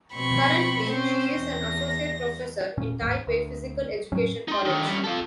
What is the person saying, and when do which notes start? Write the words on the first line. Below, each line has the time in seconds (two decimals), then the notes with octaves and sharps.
Currently, she is an associate professor in Taipei Physical Education College.
0.15 B2 F3 C4 B5 C#6
0.90 C4 C#4 C5
1.38 E2 A#6
2.77 E1 A#2 C#4
3.00 G1 D#2 G#2 A#3
3.27 D2
4.12 F2 A2 F#3 C#4
4.48 D#4 C6
4.65 D3 D#3
4.87 G3 C#4
5.04 F4 A4